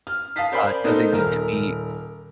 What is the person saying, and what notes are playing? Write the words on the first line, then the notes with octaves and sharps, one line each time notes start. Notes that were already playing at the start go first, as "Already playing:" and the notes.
uh, doesn't need to be
F6
F5 A5 D#6 B6 C7
A#4 C5 D5 G#5 B5
B3 D#4 A4 A#4 C5
D#1 A#4 A#5 F6